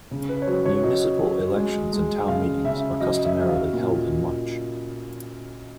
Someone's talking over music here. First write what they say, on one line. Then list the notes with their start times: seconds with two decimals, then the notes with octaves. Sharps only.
Municipal elections and Town Meetings are customarily held in March.
0.11 C#3
0.29 B4
0.42 C#5
0.47 F#3 C5
0.65 C#5
0.83 F#3 D#5
1.19 F#3
1.56 G#3
1.93 G#3
2.28 C#3 F5
2.64 C#3 E5
3.01 F#3 D#5
3.25 E5
3.37 F#3
3.49 F5
3.73 A#2